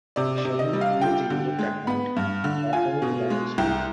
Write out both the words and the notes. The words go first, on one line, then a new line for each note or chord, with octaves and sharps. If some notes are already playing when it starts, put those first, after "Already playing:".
Sherman flees the unit that night and Hawkeye is allowed to stay.
C3 D5
D5
C3
D#5
G3
F5
F4 G5
D3
G#3
B3 B5
G2
D3
F4 G#5
B2
G#3
C2 G5